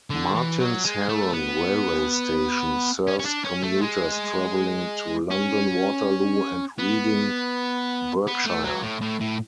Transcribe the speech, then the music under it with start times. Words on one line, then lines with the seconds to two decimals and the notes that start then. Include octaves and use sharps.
Martins Heron railway station serves commuters travelling to London Waterloo and Reading, Berkshire.
0.10 D3
0.35 E3
0.61 F#3
0.85 G#3
1.09 A3
1.34 B3
3.07 C#4
3.19 C#4
3.26 D4
3.45 C#4
3.63 A3
3.82 G#3
5.31 C#4
6.79 B3
8.28 B3
8.46 A3
8.64 F#3
8.83 A2
9.01 A2
9.20 A2